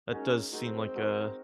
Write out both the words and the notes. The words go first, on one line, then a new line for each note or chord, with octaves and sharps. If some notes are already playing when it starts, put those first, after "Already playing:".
that does seem like a
G#3 C#4 D#4 F#4 A#4
G#3 C4 D#4 F#4 A#4
G#3 D#4 F#4 A#4